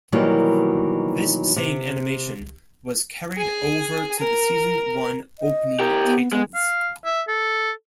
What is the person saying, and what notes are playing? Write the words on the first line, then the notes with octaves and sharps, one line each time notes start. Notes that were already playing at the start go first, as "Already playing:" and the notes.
This same animation was carried over to the season one opening titles.
B2 D#3 E3 F#3 G3 A#3
C3
G#4 G#5
A#4
D#5
G4 A#4
B3
G#3 B3
F5
E5
A4